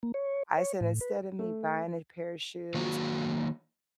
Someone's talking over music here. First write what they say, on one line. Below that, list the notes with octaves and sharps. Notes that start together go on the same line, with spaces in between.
I said, instead of me buying a pair of shoes,
A#3
C#5
C#5
A2
B4
A3
D#3 F#3 A#3 F#4